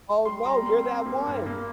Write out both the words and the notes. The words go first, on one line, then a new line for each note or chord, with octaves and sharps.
Oh, no, you're that one!
G3 C6
G3 A#5
C4 C6
C4
A#3
G2
A#3